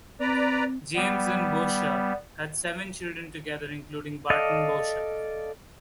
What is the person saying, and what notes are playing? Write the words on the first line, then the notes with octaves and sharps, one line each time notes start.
James and Boucher had seven children together, including Barton Boucher.
C4 B4 D5 A#5
G3 B3
A4 D5 D#5 F5